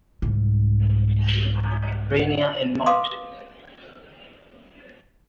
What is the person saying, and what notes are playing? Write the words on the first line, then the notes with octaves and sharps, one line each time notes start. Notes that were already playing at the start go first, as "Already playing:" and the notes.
Rainier and Mt.
C2 G#2
A#4 B4 F5 C6 D6 D#6